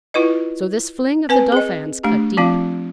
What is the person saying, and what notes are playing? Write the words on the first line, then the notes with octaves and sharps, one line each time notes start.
So this fling of the Dauphin's cut deep.
E4 F4 B4 D#5
C4 B4 G#5
G#4 D#5
A3 D4 G4
F3 C4 F4 F5